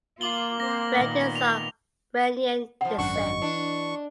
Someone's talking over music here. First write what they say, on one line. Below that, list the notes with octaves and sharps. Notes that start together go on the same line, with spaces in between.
Rad is of Iranian descent.
A#3 F4 D6 F#7 G7
C4 C5 A#6
A#2 D#3 B3
F7
C3 F3 F#5
G#1 F#2 D4 F#4 C#6
D#5
E3 D4